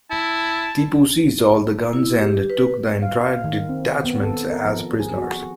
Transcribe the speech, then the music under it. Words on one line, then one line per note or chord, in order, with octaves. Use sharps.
Tipu seized all the guns and took the entire detachment as prisoners.
E4 A5
E4
G4
B4
F5
F5
D#3
C4
B3
A4
A#4
F3
G#4
F#4